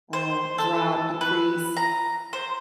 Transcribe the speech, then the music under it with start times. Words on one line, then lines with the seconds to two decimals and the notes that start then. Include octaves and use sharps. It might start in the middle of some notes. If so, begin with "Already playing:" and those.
uh, drop, decrease.
0.13 C5
0.58 A4
1.21 B4
1.77 A#5
2.33 C5